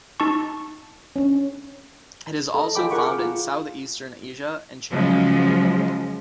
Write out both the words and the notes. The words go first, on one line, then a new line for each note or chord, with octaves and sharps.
It is also found in south-eastern Asia and China.
D#4 A5 C#6
C#4 D4
A4 D#5
F4 G#4 A4 G5 B5 D6
G#4 A#4 F#5 C#6 D6
F4
C#3 F3 F#3 G#3